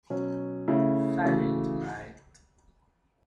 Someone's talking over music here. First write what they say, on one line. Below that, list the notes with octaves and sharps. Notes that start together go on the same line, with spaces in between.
Silent Night.
B2 F#3 C#4
C#3 A3 C#4 E4
C#3 E3 A3 F#4